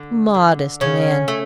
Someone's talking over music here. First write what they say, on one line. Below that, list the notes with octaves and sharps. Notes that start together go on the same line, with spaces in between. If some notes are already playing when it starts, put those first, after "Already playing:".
'Modest man!
Already playing: D3
D3
C#3 C#4
A3